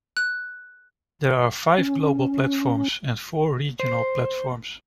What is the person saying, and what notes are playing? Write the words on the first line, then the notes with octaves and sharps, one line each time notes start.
There are five global platforms and four regional platforms.
F#6
C#4
C5